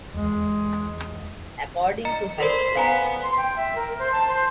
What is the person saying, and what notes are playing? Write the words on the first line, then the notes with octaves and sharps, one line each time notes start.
According to High Score!
E2 G#3
D#5 A#5 C#7
A4 A#4 C5 D5 B5
B3 F5 G#5 A#5
C6
G5
E5
A#4
C5
A5
C5